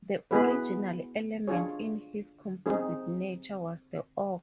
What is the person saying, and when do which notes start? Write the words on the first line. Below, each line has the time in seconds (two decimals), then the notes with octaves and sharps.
The original element in his composite nature was the oak.
0.31 B3 E4 G#4 B4
1.47 D4 F4 G#4 C#5
2.66 C4 D#4 G#4